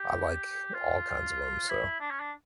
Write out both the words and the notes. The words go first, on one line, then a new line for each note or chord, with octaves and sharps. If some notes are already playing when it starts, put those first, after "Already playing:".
I like all kinds of 'em, so,
Already playing: G4
F4
E4
D4
C#4
D4